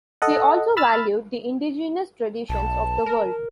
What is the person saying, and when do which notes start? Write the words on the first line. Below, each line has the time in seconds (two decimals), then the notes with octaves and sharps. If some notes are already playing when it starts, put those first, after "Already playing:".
He also valued the indigenous traditions of the world.
0.22 A4 D#5 F#5
0.77 B5 E6 F6 A6
2.49 B1 A5
3.06 A#4